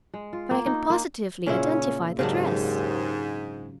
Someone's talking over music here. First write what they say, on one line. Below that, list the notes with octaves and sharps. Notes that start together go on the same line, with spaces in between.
"But I can positively identify the dress."
G#3
F4
A#3
D#4
A#3
A#2 C#3 C#4 E4
D#2 G#2 C#3 F#3 D4